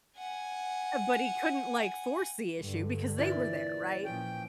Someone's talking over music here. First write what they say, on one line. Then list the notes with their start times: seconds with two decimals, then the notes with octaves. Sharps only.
Uh, but he couldn't, like, force the issue because they were there, right?
0.18 F#5 G#5
2.60 G2 D3
3.18 A#2 E3 D5
4.04 A#2 F3 C#4 G5